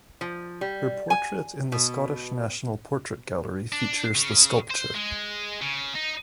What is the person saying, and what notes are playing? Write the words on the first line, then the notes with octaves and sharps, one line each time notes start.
Her portrait in the Scottish National Portrait Gallery features the sculpture.
F3
G3
G#5
B2
D4
C#3
C5
G#3
C#3
D#4